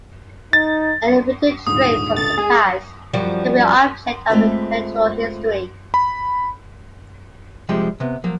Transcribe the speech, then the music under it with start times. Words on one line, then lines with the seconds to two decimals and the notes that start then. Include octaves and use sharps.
Any written trace from the past can be the object of intellectual history.
0.53 D#4 A6
1.67 D#1 G#2 D3 D#6
2.16 C#2 D4 A4 A6
2.38 G#3 G#4
3.14 F#2 F3 G3
4.30 G#3 A3 C4 F4 B4 E5
5.94 B5
7.69 C3 F3 G3 G#3
8.00 C3 B3
8.24 F3 F#3 A#3